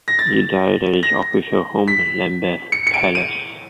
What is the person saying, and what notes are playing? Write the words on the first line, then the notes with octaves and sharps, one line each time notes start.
He died at his official home, Lambeth Palace.
A#6
A6
A#6
B6
C#7
C#7
D7
D#7